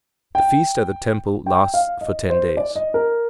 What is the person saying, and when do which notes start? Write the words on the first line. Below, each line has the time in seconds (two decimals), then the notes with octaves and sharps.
The feast at the temple lasts for ten days.
0.35 G5
1.46 G5
1.74 F5
2.01 D#5
2.30 C5
2.57 D5
2.76 D#5
2.94 A#4